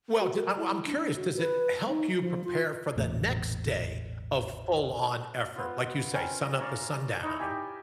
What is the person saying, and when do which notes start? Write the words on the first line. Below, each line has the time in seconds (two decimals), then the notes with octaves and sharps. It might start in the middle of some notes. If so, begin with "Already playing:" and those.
Well, j I'm I'm curious, does it help you prepare for the next day of full-on effort? Like, you say, sun up the sundown.
0.20 F#4
0.40 A#4
0.57 E4
0.86 D4
1.16 F#4
1.37 B4
1.88 D#4
2.18 F3
2.44 F4
2.96 E1 A1 A#2 A3
5.56 B3 F4
6.13 C4 C#4 A#4
6.59 A#4 C#5 D5 F5
7.23 D#4 E4 C#5 E5
7.39 G4 D5 G#5